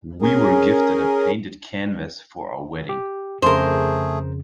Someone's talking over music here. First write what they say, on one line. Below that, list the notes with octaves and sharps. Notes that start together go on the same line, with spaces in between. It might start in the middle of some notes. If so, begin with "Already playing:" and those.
We were gifted a painted canvas for our wedding.
C#4 G#4 A#4
G4
F2 C#3 A3 G#4 A#4 C5